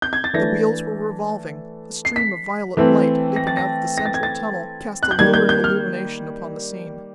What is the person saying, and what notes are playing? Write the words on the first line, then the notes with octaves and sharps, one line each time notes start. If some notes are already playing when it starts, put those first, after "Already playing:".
The wheels were revolving, a stream of violet light, leaping out of the central tunnel, cast a lurid illumination upon the scene.
G6
G#6
A6
E3 A3 D4 A#6
C7
B6
E3 A3 C4
A#6
A6
A#6
A#6
A6
G#6
A6
F#6
G6
D#3 G3 A#3 G#6
G6
G6
F6